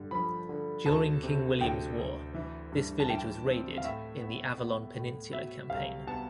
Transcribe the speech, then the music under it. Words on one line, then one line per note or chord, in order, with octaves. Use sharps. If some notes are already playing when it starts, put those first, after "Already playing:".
During King William's War, this village was raided in the Avalon Peninsula Campaign.
Already playing: G2 D3
F3 B5
D3
D2 A5
C3
D2 G5
D2
E3
G2
A5
E3 G5
C4
F5
A2 E5
B3
B3
A2
B2 E5
C2 F5
B3 A5